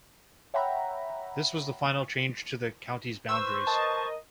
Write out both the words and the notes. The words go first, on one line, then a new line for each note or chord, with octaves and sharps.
This was the final change to the county's boundaries.
C#5 E5 F#5 G5 A#5 B5
B4 C5 C#6 E6
A#4 D#5 A5